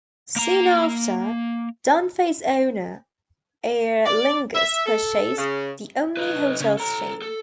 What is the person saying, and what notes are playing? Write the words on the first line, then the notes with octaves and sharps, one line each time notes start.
Soon after, Dunfey's owner, Aer Lingus, purchased the Omni Hotels chain.
A#3 A#5
D5
E5
A4
C#3
D#4 B4
C#3 C#4
A4 A#5
A4